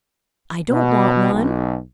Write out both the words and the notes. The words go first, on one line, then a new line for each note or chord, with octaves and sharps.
"I don't want one."
B2
B1